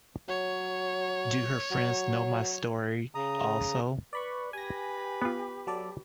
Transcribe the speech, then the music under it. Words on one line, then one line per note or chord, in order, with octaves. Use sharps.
Do her friends know my story also?
F#3 C#5
F#3
C#3 A#5 D#6
B4 D5 B5 C#6
G4 B4 G#5 A#6
B3 F4
F#3 A4 D5